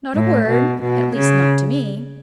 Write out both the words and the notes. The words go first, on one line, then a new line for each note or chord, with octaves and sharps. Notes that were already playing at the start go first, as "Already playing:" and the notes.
"Not a word--at least not to me."
A2
B2
B2
C#3